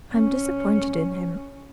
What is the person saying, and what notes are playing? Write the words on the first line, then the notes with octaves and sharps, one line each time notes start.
I am disappointed in him.'
C#4